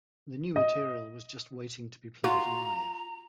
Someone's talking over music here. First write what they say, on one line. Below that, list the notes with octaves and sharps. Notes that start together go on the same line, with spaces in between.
The new material was just waiting to be played live.
D#5
F4 F#4 A#5